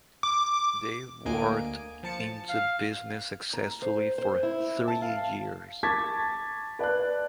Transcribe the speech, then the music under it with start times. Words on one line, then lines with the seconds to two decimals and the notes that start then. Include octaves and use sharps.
They worked in the business successfully for three years.
0.23 D6
1.25 D2 A#3 D#5 G#5 D7
2.03 F3 A5 C#7
2.49 F5
3.53 A#5
3.82 C5
4.18 C5
4.43 E4
4.88 A5
5.02 F5
5.83 A5 C#6 D6 G#6 A6 B6
6.79 B4 D5 A5 F#6